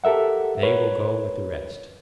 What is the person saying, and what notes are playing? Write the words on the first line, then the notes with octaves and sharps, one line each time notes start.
They will go with the rest.
G4 A4 A#4 E5 F#5
A#4 B4 C#5